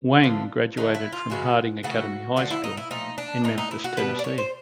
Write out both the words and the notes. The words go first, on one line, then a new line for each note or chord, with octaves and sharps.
Wang graduated from Harding Academy High School in Memphis, Tennessee.
D3 F3 A3
D3 F#3 A3 D#4
E4
F4
C#3 E3 G#3 B3 F#4
C#3 E3 A3 F#4
D3 F3 A3 D4 F#4
E4
D#4
E4
A#2 F3 A3 D#4
D4
A2 E3 G#3 D#4
D#4
E4
F#4
B2 G3 B3 D4 B4
D5
C#5
C5